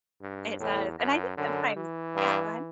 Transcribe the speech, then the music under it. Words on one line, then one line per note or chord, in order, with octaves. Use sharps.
It does, and I think sometimes yeah, go ahead.
G2
E2 A2
F#2
F#2 D3
E3
G2